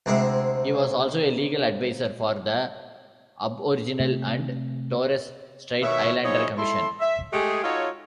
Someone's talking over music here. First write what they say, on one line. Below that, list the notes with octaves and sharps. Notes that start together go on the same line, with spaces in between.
He was also a legal advisor for the Aboriginal and Torres Strait Islander Commission.
D2 C3 G#3 E5
C3 A3 C4
B2 D#3 C#5 E5
F3 F#3 D#4 E4 G#4 C#5
E4 A4 C6
E5
G#3 A3 G4 G#4
D#4 F4 F#4 A4 C#5